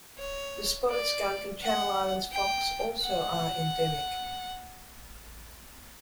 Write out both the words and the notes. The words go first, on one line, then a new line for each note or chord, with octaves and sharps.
The spotted skunk and Channel Islands fox also are endemic.
C#5
D5
F#5
G5
F#5